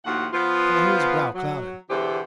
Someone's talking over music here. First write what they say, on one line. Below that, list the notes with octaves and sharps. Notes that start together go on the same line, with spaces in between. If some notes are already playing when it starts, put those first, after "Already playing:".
Calhoun's brow clouded.
D#2 A2 F3 F#4 F#5
F3 B3 F4
F#3
E2 B2 D3 E3 G4 C5